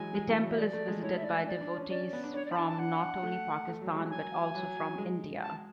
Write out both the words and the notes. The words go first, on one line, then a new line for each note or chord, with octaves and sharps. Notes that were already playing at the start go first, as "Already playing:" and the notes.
The temple is visited by devotees from not only Pakistan but also from India.
Already playing: E3 F#3 G#3 G#5
G#3
E3
F#3
E5
G#3 D5
A3
G#3
E4 C#5
E5
D5
D5
D4
C#4
C#4 D5
C#4
B3
D4
D4 C#5
D5
B5
D4 A5
A5
D4 F#5
A3
A3
F#3
G#3
F#3 G#5
F#3
F#3
G#3
A5